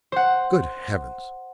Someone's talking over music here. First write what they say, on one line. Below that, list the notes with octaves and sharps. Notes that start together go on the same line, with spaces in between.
Good heavens!
C5 F#5